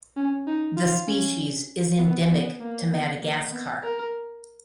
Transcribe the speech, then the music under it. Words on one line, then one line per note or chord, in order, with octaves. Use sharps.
The species is endemic to Madagascar.
C#4
D#4
F4
C#4
B3
B3
A#3
B3
A#3
B3
A#4